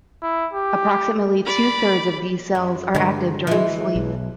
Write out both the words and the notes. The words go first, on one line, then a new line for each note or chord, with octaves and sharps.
Approximately two thirds of these cells are active during sleep.
E4
G4
D5 B5
F#2
G2 D3 G#3
E3 G#3
B1